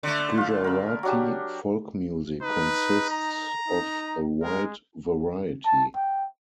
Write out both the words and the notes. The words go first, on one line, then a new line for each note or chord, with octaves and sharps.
Gujarati folk music consists of a wide variety.
D3 A3
F4 F5
A#4 B5
F#3 D4 G4
D#4 B4
A#5
D#4
G#3 A#4
A5
G5